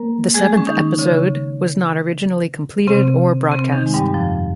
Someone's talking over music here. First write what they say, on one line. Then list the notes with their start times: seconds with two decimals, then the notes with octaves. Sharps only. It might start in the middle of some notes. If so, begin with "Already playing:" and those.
The seventh episode was not originally completed or broadcast.
Already playing: A#3 A#4
0.34 G#3 G#4
0.57 C#4
0.67 D#3 D#4
0.98 C#3 C#4
2.87 C3 C4
3.51 C3 C4
3.72 D#3 D#4
3.86 G#3
3.94 G2 G3
4.14 F2 F3